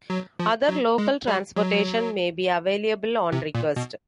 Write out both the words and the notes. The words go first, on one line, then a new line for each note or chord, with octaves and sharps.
Other local transportation may be available on request.
F#3
F3
F#3
G#3
G3
F#3
C3
A#2
B2